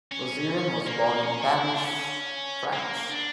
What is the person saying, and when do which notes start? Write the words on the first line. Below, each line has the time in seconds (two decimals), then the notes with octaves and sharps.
Lusseyran was born in Paris, France.
0.12 C#4
0.87 A#3
1.24 C#4
1.42 E4
1.61 E4
1.73 D4
1.85 C#4
2.73 A#3
3.09 D4